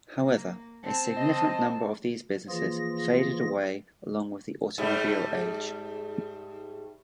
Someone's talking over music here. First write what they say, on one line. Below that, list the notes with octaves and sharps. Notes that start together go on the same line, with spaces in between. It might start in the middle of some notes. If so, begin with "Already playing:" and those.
However, a significant number of these businesses faded away along with the automobile age.
A#3
C4 A5
D#5
E3 F3 A#3 F4 G#4 A#6
G#2 G3 A3